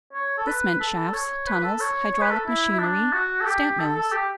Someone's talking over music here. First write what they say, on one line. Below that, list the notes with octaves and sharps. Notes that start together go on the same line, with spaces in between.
This meant shafts, tunnels, hydraulic machinery, stamp-mills.
C#5
A4
B4
A4
C#5
B4
A4
C#5
C#5
B4
A4
E4
E4
D4
F#4
A4
G4
A4
A4
G4